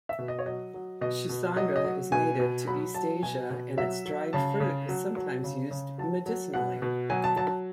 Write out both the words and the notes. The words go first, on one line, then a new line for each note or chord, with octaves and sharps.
"Schisandra" is native to East Asia, and its dried fruit is sometimes used medicinally.
E5
B2
D#5
C#5
F#3 D#5
F#3
B2 D#5
B2
F#3 D#5
D#5
F#3
B2 G#5
B2
F#3 B5
F#3 A5
B2 G#5
B2
F#3 E5
F#3
C#3 A5
C#3
F#3
F#3
C#3
C#3
F#3 A5
F#3
B2 F#5
B2
F#3 G#5
A5
F#3 A5